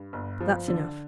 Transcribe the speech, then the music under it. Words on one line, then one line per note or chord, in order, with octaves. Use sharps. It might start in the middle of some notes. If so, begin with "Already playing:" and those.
That's enough.'
Already playing: G2
G1
F3
D3